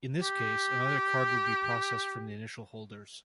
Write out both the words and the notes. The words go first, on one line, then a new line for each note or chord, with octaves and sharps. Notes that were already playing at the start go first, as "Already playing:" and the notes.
In this case, another card would be processed from the initial holders.
G4